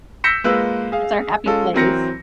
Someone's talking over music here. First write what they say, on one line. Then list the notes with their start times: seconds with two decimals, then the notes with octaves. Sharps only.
that's our happy place.
0.24 E6 G6 A#6 B6 C#7 E7
0.44 G#3 A#3 F4 B4 E6 F#6
0.92 G#4 F5
1.46 G#3 C#4 F4 A4
1.74 E3 F#3 C4 A#4 A#6 C#7